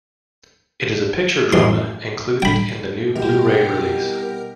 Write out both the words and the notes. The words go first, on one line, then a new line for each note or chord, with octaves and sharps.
It is a picture drama included in the new Blu-ray release.
A1 C6
G5 B5
C2 B2 G4 A#4